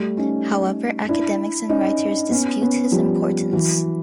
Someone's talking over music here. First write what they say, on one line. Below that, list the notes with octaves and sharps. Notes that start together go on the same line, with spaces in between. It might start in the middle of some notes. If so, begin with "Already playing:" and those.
However, academics and writers dispute his importance.
Already playing: G3 A3
C#4 D#4
D4 E4
C#4 D#4
B3 C#4
B3 C#4
F3 G3
E3 F#3